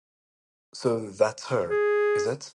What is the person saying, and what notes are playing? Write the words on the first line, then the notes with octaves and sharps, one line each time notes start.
So that's her, is it?
G#4